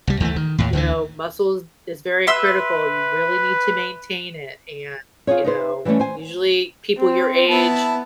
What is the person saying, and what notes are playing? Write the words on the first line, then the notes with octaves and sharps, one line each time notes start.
you know, muscles is very critical. You really need to maintain it. And, you know, usually people your age,
C2 G3
D2 E3 F#3 A3
D#3
D#2 A2
D2 D3 E3
B4 E5 C6 E6
C4 F4 F#4 G#4 C#5
D#4 B4 C5
E3 F#3 G3 A3 C#4
C5 G#5
C4
B3 E4 A5